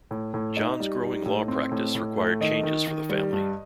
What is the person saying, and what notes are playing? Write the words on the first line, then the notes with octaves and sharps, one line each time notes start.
John's growing law practice required changes for the family.
A2
A2
D#4 D#5
G3
D#4
A2
C4
A2
A2
A3
D#3 D#5
D#3
D#3
G3
G2